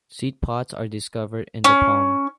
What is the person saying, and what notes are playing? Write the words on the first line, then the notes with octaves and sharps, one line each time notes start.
Seed pods are discovered in the palm.
C#4